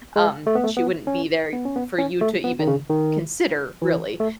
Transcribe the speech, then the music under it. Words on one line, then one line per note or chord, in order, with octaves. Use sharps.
um, she wouldn't be there for you to, even consider, really.
G#3
A3
B3
A3
B3
C#4
B3
C#4
B3
C#4
A3
B3
D#3
C#3
D#3
E3
A3